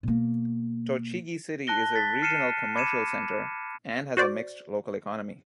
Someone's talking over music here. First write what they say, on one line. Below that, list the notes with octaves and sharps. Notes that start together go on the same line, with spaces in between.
Tochigi city is a regional commercial center, and has a mixed local economy.
B2 A#3
A5 F#6 A#6 G7
A6 B6
F6 C7 C#7 D#7 E7
B5 D6 G#6 C#7 D#7 E7
F#4 C5 D5